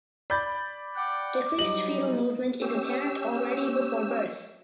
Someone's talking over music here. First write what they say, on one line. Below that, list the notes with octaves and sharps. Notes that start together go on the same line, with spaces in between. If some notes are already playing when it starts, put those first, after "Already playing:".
Decreased foetal movement is apparent already before birth.
D5 B5 G6 A6
F#5 G5 D6
F#3 G3 D#4 D#5 F#7
C#4 G4 E6